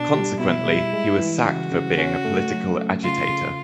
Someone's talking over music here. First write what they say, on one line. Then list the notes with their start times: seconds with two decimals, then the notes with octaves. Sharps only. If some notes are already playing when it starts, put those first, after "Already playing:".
Consequently, he was sacked for being a political agitator.
Already playing: B2 D4
0.14 G3
0.40 B2 E4
0.66 G3
0.93 G#3
1.19 E3
1.45 C#3 F#4
1.72 C#3
1.98 C#4
2.25 A3
2.51 F#3
2.77 A3
3.04 C#3 F4
3.29 C#3